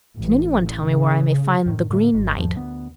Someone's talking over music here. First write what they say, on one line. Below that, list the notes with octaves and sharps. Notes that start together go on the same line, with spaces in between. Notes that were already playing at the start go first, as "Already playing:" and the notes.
'Can anyone tell me where I may find the Green Knight?'
A1
C#3
F#2 A2 D#3
A2 D3 G#3 A3
G#1 G#2
E2 G#2 D#3 F3
D2 B3